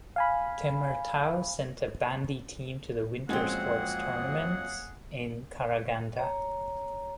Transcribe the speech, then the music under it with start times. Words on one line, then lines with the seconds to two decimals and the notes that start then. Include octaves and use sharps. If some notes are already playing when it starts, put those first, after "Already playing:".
Temirtau sent a bandy team to the Winter Sports Tournaments in Karaganda.
0.16 F5 G#5 B5
3.29 F2 F#3 G#3 A#3 C4 C#4 G#4 F#5
6.17 C#5 A#5